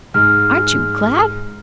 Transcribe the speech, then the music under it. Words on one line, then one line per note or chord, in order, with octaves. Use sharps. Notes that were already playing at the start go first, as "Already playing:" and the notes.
Aren't you glad?
G#2 G#3 F6